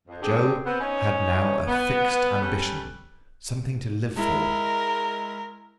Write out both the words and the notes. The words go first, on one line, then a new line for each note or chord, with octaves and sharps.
Joe had now a fixed ambition--something to live for.
F2
D3 C4 G4 G#4
B3 C4
C#4 D#4 C#5
B3
G3 C#4 A4 B4
G#3 E4 A#4